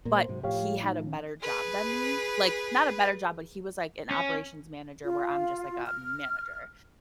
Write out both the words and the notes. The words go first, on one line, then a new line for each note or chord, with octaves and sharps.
But he had a better job than me, like, not a better job, but he was like an operations manager where I'm just like a manager,
A#2 A#3
C5
G#2 C3 F#3
A2 F3 G4 C#5 F5
D#4
D#3 C#4
G#4 B4
C#4
F4
F6